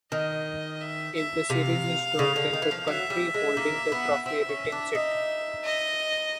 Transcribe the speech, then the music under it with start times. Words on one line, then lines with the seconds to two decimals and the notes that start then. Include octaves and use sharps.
If the series is drawn, then the country holding the trophy retains it.
0.12 D#3 D#5
0.81 E5
1.15 E5
1.50 C3 F5
2.19 C#3
2.36 D3
2.53 D#3
2.62 E3
2.71 F3
2.88 F#3 E5
3.10 G3
3.34 G#3
3.57 A#3
3.92 B3
4.26 C4 E5
4.49 C#4
4.72 D4
4.95 D#4
5.63 D#5